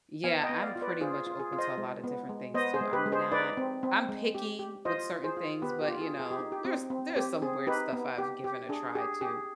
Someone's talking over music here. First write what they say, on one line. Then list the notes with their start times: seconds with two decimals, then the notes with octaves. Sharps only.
Yeah, I'm pretty much open to a lotta different things too. I'm not I'm picky with certain things, but you know, there's there's some weird stuff I've given a try too.
0.24 B3 F5 G#5
0.43 D#5 G5
0.50 B3
0.62 D5 F5
0.76 F4
0.82 B4 D5
1.01 F4 G#4 C5
1.27 F4
1.40 G#4
1.53 F4
1.58 C5 D#5
1.78 G#3
2.04 B3
2.29 G#3
2.54 B3 C5 D#5
2.74 G#4 C5
2.81 G#3
2.93 G4 B4
3.06 G#3
3.12 G#4 C5
3.32 D#4 B4 D5
3.57 C4
3.83 C4
4.09 G#3
4.35 G4
4.59 G4
4.85 F4 C5 D#5
5.11 F4
5.24 G#4 C5
5.37 F4
5.62 B3 G4 B4
5.82 G4
5.88 F4
6.01 G#4
6.14 F4
6.20 G#4
6.31 G4
6.39 D#4
6.52 G4
6.65 C4
6.90 C4
7.16 C4 G4
7.42 C4 G#4
7.67 D#4 G4 B4
7.93 B3
8.18 G4
8.44 G4
8.69 D4 G#4
8.95 G4 G#4
9.21 G4 G#4